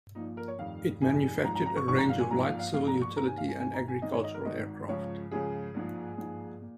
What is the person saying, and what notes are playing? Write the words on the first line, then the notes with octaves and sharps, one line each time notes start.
It manufactured a range of light civil utility and agricultural aircraft.
A#1 A#2 F3 D#4
A#4
C#5
F1 F2 D#3 F5
F1 F2 D#3 G#5
G#1 G#2 F3 A#5
A#5
A#5
C#6
G#1 G#2 F3 C#6
A#5
F5
G#5
A#1 G#2 F3 A#5
F5
F5
A#1 G#2 F3 F5
A#5
C#6
D#2 D#3 A#5
G#5
F5
G#5
D#2 D#3 G#5
A#5
G#5
G#1 G#2 D#3 D#5
C#5
D#5
A#4
G#1 G#2 D#3 D#5
C#2 C#3 F3 C#5
C#2 C#3 F3 G#4
A#1 G#2 F3
A#1 G#2 F3
A#2